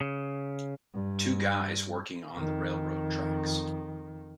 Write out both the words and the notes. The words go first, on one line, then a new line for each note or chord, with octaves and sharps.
Two guys working on the railroad tracks.
C#3
G2
F2 D#3